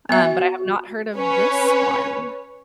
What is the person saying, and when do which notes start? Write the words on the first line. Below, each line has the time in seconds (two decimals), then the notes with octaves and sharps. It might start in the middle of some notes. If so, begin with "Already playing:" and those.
um, but I have not heard of this one.
0.09 B3 F#4 E5
1.15 C#4 B4 C#5